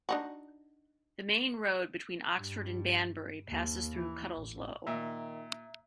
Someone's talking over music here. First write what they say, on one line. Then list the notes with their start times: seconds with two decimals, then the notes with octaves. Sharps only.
The main road between Oxford and Banbury passes through Cutteslowe.
0.09 D4 D#4 F#4
2.34 G2
3.48 D#2
3.94 E3
4.36 A1
4.87 A#2 D#3 E5 A#5